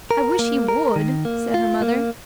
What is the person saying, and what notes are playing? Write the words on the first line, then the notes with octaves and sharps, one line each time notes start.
"I wish he would!" said her mother.
A#4
A#3
A#4
D#3
A#3
F4
A#3